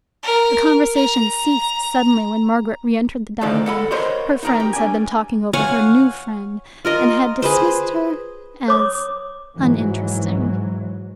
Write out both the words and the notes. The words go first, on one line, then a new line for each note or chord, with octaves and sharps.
The conversation ceased suddenly when Margaret re-entered the dining-room: her friends had been talking over her new friend, and had dismissed her as uninteresting.
A#4
A#5
D2 A2 D3 D#3 F3 G#3
A4 F#5 B5
A#4 C5 C#5 D#5 B5 C6
D#4 A#4 A#5
G4
D4 G#5
C#5 F5 F#5 G#5
F4 A#4 D#5
G#4 B4 C5
C#5 D6 D#6
G#2 E3 F#3